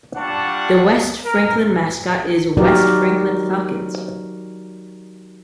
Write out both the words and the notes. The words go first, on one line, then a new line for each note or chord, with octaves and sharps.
The West Franklin mascot is West Franklin Falcons.
G3 D4 F4 F#5 A5 C#6
A#4
F#3 D#4 F#4 G4 A#4 D5